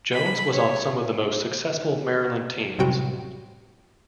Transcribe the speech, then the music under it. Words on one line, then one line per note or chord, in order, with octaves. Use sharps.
Jones was on some of the most successful Maryland teams.
B5
C#5
A1 F#2 C3 G3 F#4 G5